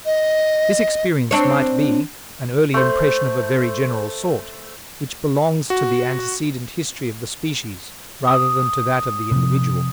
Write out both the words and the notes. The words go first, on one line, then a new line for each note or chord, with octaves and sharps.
This experience might be an early impression of a very general sort, which belongs to the antecedent history of the species rather than to that of the individual.
D#5
C4 D4 C#5
A3 C5
F#4
D#6
C3 F3